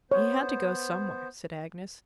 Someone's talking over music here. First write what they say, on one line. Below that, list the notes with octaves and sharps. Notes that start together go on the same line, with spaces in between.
"He had to go somewhere," said Agnes.
B3 C5 C#5